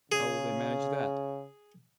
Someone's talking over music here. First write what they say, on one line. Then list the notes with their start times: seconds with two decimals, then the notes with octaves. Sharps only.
"How will they manage that?"
0.12 C#3 G#4